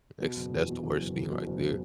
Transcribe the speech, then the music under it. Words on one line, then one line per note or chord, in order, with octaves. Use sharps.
That's that's the worst thing right there.
B2
F#1
E2
B2
E2
F#1
E2
B2
F#1